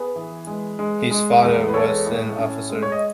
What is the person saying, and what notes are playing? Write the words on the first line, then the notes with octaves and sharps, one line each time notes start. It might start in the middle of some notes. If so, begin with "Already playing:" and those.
His father was an officer.
Already playing: B3 G#4 B4
E3
G#3
G#3
G#3
E2
B4
G#3 A4 C#5
A2
C#4
G#3
C#5
D#5